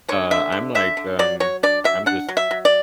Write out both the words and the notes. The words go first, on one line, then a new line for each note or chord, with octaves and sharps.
Uh, I'm like, um, I'm just,
D3 C#5
D3 E5
D3
D3 E5
D3
F#3 D5
F#3 C#5
D4 D5
F#3 E5
D4 F#5
F#3
E5
F#3
D5